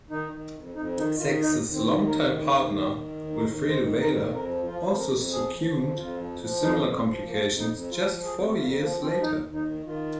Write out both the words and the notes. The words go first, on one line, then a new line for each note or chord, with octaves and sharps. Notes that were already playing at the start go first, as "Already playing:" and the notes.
Sex's longtime partner, Wilfredo Vela, also succumbed to similar complications just four years later.
D#3 D#4
D#3
F2
F2 D#4
D#3 D#4
D#3 F4
D#2 D#4
D#2
C4
D#3
D#3 A#4
D#2
D#2
D#3
D#3
D#2
D#2 A#4
D#3
C5
D#3
F2 A#4
F2
A#4
F3
F3 F4
F2
A#4
F2
F3 G#4
F3
F2
F2 F4
F3
F3
F2 D#4
F2
C4
F3
F3 A#3
F2
D#4
F2
F3 F4
F3
G#4
F2
F2 F4
F3 A#3
F3 C4
D#2 D#4
D#2
D#4
D#3
D#3 F4